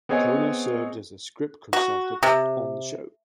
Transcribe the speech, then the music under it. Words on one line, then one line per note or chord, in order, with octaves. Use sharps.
Kohner served as a script consultant on the show.
B3 C4 G#4 C#5 D#5 G#5
F#4
C3